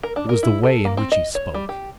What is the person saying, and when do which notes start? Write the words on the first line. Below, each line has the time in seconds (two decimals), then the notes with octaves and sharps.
It was the way in which he spoke.
0.03 A#4
0.16 D4
0.29 A#4
0.43 E4
0.63 A4
0.85 A#3
0.97 C4
1.12 D#5
1.35 C#5
1.54 G3
1.69 G4